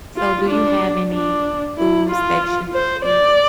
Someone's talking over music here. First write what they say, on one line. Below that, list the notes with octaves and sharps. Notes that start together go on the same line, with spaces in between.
So, do you have any foods that you eat
F4
D4
D4
E4
F4
C5
D5